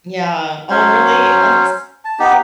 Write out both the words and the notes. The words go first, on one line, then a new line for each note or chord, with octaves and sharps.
Yeah, oh, really? Oh, tiss
F#3 C#4 C5
A5
B3 D#4 G4